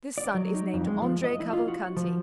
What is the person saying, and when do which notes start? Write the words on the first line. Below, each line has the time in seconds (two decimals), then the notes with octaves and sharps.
This son is named Andrea Cavalcanti.
0.18 D5
0.34 F#3
0.54 D#4
0.74 F2
0.87 G#3
1.02 F3
1.24 D#5
1.40 E4
1.53 F4
1.68 F#4
1.97 F3